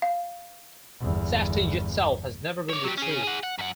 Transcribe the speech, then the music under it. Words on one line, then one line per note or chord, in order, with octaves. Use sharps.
Saaftinge itself has never been retrieved.
F5
G1 E2
C#5 D5
F#3 G3
C#4 G#4
G#4 F#5
F#5
F#2 F#5